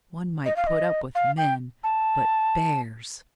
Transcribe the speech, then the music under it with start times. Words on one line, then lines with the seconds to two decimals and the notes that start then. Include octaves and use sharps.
"One might put up with men, but bears!"
0.45 D#5
0.56 F5
0.67 D#5
1.15 F5
1.38 G5
1.84 A5